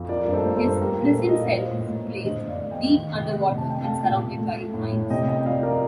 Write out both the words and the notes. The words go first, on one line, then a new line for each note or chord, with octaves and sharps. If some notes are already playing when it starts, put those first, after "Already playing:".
His prison cell is placed deep underwater and surrounded by mines.
Already playing: F2
F3 A#4 D5
G2 A#4
A4 C5
A#3
A4 C5
G2
G3 G4 A#4
A#2
A4 C5
A#3
D#5
A#2
F5
F3 C5 D#5
A2
A#3
A2
D3 C5 D#5
F2
D5 F5
A3 F5
D#5 G5
F2
D#3
C3
D#5 G5
A3
C3
A5
A3 G5
A3 F5 A5
A#2
A#2
A3
A3
A2
A2
C3 D#5 G5
A#3 D#5 G5
F3 D5 F5
A#4 D5